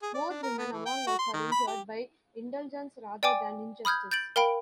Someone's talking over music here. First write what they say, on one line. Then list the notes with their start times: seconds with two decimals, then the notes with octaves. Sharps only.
More women among us are injured by indulgence rather than injustice.
0.02 G#4
0.14 D5
0.30 D4
0.43 A#4
0.58 B3
0.72 E3
0.86 G5
1.07 F#4
1.18 C6
1.33 D#3
1.52 B5
1.67 G4
3.23 D5 G5 G#5 D6
3.85 B5 D#6 F6 G6 G#6
4.11 G6 A6 D7 F#7
4.36 A#4 F5 G5 B5 D7